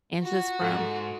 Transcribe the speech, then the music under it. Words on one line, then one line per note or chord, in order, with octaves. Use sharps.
And just from
F4 F#4
G#2 A4